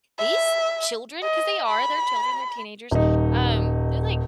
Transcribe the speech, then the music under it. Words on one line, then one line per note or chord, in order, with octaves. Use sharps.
"These children" 'cause they are, they're children, they're teenagers. Um, they like,
E5
D#5
B5
D#1 D#4